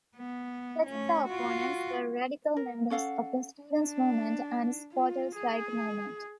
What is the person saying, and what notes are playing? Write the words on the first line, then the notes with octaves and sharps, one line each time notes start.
Particular opponents were radical members of the students' movement and squatters' rights movement.
B3
A3 C#4
F4 F#4
A#4
C#4 A4 F5 F#5
D4
F4
G#4